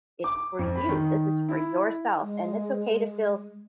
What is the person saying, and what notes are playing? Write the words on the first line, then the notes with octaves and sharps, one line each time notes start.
it's for you, this is for yourself. And it's okay to feel
D6
F2
B5
D#3
E4
G#3